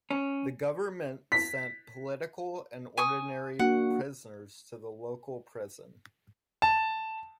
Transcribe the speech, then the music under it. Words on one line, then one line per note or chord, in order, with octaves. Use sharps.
The government-sent political and ordinary prisoners to the local prison.
C#4
B6
G#5 C#6 D#6
A#3 D4 F#4 F#5
A5